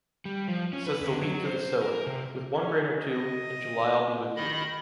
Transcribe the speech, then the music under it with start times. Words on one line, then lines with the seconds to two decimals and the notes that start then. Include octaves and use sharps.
Says the wheat to the sower: with one grain or two, in July I’ll be with you.
0.25 G3
0.48 F3
0.73 C#4
0.87 B4
1.05 D3
1.21 F#3
1.46 C5
1.82 A#4
2.06 C3
2.51 C#4
2.95 D#5
4.36 D#3 D#5 B5